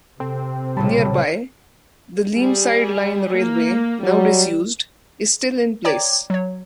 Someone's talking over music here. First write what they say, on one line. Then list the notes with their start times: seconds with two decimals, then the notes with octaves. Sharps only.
Nearby, the Leamside line railway, now disused, is still in place.
0.20 C3 C4 A4
0.77 B1 A#2 C#3 G3 A5 B5
2.35 G3 G#4
3.38 A#3
4.04 F#3 G3
5.85 C#5 D5 G5 A#5 D6 G#6
6.30 F#3 C#5